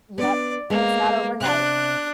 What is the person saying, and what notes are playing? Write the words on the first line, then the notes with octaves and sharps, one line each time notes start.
Yep, and it's not overnight.
B3 D4 D5
G#3 A#3 B3
C3 D4 F#6